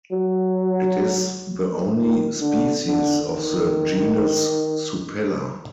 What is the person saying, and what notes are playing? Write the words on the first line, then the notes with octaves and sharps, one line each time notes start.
It is the only species of the genus Supella.
F#3
D#3
D3
D3
D#3